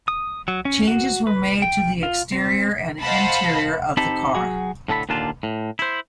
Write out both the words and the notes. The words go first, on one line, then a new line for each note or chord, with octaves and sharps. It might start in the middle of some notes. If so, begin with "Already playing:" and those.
Changes were made to the exterior and interior of the car.
D#6
F#3
C#4
F#4
B4
G5
F4
C4
C5 D#5 F5 F#5 A5 B5
C4 D#4 G4 A4 A5 B5
F#3 F#4 G#4
A2 D3 A4 B5
D#2 A#2 D3 D4 F4 A5
A2
E4 C5